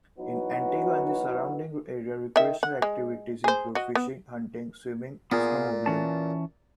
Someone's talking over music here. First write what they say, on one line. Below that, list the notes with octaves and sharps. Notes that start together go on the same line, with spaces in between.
In Antigo and the surrounding area recreational activities include fishing, hunting, swimming, snowmobiling.
E3 F#3 B3 D#4 F#4
D#3 E5
F#5
G#3
G#4 C5
F#4 D#5
B3
A#2 B3 F4 G#4
E3 C#4 A5